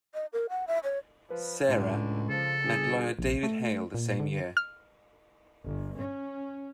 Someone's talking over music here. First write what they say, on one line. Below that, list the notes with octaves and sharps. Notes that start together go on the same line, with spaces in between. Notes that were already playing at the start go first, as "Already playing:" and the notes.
Sarah met lawyer David Hale the same year.
D#5
A#4
F#5
E5
C#5
F3 B4
C#2 A2 D3
C#3 F3 A4
G1 G#4
A#1
A3
A#2
D3
F6
G1
C#4